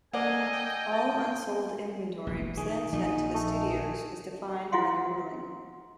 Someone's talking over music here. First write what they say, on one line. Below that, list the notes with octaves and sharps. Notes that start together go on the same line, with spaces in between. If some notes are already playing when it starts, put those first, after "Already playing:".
All unsold inventory was then sent to the studios as defined by the ruling.
A#3 A4 D5 D#5 F#5 G#5
G5
A5
E1 A#1
D#3 G#4 C#6
A#1 F3 D#4
A3 D#4
E4 F4 F5 F#5 C6